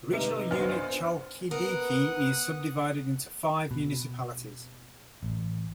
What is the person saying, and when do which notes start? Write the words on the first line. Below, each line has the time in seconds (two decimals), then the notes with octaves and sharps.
The regional unit Chalkidiki is subdivided into five municipalities.
0.13 C3 D#4 B4 E5
0.51 A#1 B3 C5 D#5 F5 G#5 F6
1.51 B3 A#4 F#5 D#6 F#6
3.71 B2
5.23 A1